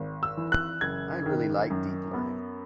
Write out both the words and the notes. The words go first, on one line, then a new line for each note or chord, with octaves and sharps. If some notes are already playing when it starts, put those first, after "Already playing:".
I really like Deep Learning.
Already playing: G#1
E6
E3
F#6
F#1 G#6
D#3
F#2
B3